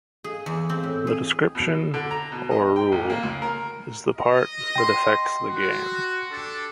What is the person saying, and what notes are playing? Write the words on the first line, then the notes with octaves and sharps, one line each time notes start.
The description, or rule, is the part that affects the game.
G#4
E2
C4
A2
G#4
B2
D3
A#5
B2
D#5
G5
A1
A#3
C#2
A#4
D#5
G5 C6
F#4
D4 G4 A4